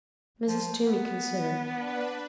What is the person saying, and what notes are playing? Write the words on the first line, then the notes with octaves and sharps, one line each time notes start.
Mrs. Toomey considered.
F3
B3
D4 B4